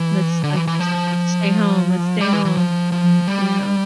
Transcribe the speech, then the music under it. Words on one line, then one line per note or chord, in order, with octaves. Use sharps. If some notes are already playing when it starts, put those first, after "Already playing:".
Let's, like, s let's stay home. Let's stay home. N you know?
Already playing: E3
D3
E3
E3
F3
G3
E3
E3
F3
F3
G3